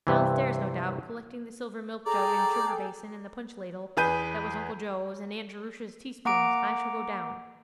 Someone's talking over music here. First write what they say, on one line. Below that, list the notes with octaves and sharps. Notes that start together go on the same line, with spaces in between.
'Downstairs, no doubt, collecting the silver milk-jug and sugar-basin and the punch-ladle that was Uncle Joe's, and Aunt Jerusha's teaspoons. I shall go down.'
G2 C3 E3
G#4 A4 D5 G5 A#5
E2 G#4 B4 G6 D#7
A#3 F#5 A#5 D6 D7